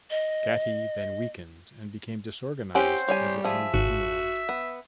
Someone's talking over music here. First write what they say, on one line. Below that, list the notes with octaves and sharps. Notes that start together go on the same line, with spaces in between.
Gati then weakened and became disorganized as it moved inland.
D#5
C4 C#4 G4 C5 F#5
G3 C#5 G#5
F3 G#4 E5
G#1 G#2 F#4 D#7
B3